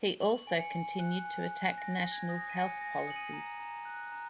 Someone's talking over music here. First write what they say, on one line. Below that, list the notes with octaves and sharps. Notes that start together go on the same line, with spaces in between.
He also continued to attack National's health policies.
C#6 F#7
G#5
C#7
G#5
F#6
G#5
F#6
G#5 A#6
A#6
G#5
G#6
D#6 A#6
D#7
G#5 C#7
G#5 A#6
C#7
D#6 F#7
D#7
A#5
A#5
F#6
A#5